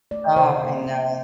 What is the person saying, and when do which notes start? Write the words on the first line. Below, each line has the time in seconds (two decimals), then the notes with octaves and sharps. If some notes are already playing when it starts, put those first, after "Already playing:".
Oh, I know.
0.11 A3 D5
0.36 C3 C5
0.62 F3 A#3
0.86 C3